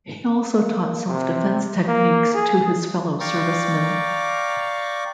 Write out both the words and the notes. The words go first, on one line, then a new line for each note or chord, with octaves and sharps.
He also taught self-defense techniques to his fellow servicemen.
A#3
C3
A#3
G#4
D5 F5 G5 A#5 C#6 D6